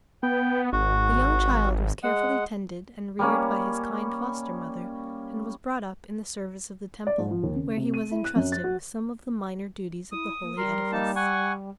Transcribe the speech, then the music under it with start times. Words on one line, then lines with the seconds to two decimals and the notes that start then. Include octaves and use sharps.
The young child was carefully tended and reared by his kind foster-mother, and was brought up in the service of the temple, where he was intrusted with some of the minor duties of the holy edifice.
0.23 B3 G5
0.73 G#1 F#4
2.03 G#3 F#5
3.19 G3 A#3 C#4
7.07 D5
7.18 G#2
7.31 F3
7.43 D#2
7.56 C#3
7.77 C3
7.94 D#7
8.11 E4
8.25 F#6
8.36 F#2
8.52 A6
8.64 F#4
10.12 E4 D#6
10.42 A#3
10.57 G3 A#4 C6
10.92 A#3 D#4 A5
11.16 F#5 G#5 C#6